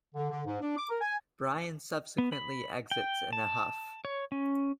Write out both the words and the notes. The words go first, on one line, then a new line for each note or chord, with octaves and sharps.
Brian subsequently exits in a huff.
D3
D3
G#2
D4
D6
A#4
G#5
B3
B5
G5
A5
C#5
C#4